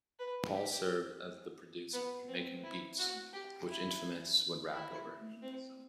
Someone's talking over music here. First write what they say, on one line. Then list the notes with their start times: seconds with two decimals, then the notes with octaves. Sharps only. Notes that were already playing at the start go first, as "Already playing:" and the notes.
Paul served as the producer, making beats, which Infamous would rap over.
0.19 B4
0.54 G4
1.93 B3
2.28 C4
2.64 E4
2.98 F#4
3.33 G4
3.68 E4
4.72 E4
5.42 C4